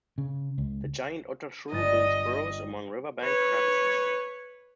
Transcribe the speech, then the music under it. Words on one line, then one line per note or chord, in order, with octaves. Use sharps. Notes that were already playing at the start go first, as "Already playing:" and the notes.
The giant otter shrew builds burrows among riverbank crevices.
C#3
C#2
G1 D#5 A6
B4 C#5